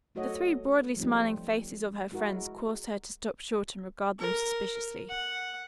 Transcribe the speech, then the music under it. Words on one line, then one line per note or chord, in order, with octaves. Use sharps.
The three broadly smiling faces of her friends caused her to stop short and regard them suspiciously.
F#3 A3 F#4 A4 C#5 D#5
F3 G3 A3 C4 D#4
G#3 E4 F#4 A#4
A#4
F#5